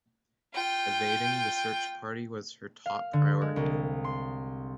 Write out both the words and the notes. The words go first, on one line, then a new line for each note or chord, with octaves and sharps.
Evading the search party was her top priority.
F4 G5
F5
D3
G#3
C2
C6